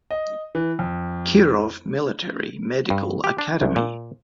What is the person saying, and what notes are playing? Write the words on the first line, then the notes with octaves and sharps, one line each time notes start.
Kirov Military Medical Academy.
D#5
E3
F2
G2
G4
D4
C2
A#2